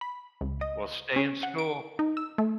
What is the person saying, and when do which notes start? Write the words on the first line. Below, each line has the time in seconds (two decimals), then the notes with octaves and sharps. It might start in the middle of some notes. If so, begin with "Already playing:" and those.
Well, stay in school.
0.01 B5
0.41 C#2
0.61 D#5
1.16 C#4
1.43 F#5
1.58 D7
1.99 D#4
2.17 E6
2.38 A3